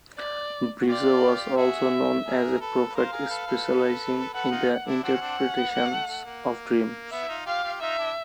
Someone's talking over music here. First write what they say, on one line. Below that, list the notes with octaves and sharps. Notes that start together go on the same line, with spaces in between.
Brizo was also known as a prophet specializing in the interpretation of dreams.
D5
F#4
F4 G4 D5
F#4 G#4 E5
G#4 A#4
A4 B4
B4
A#4 C5 F5
G#4 A#4
A4 B4
A4 B4
A4 B4 F#5
D#4 F4
D4 E4
C4 D4 F#5
C#4
C4 D4
C#4
B3
A#3
A3
A3
A#3
B3 E5
E4
D#4 F4
F4 G4 F5
F4 G4
D#4 F4 E5
D4 E4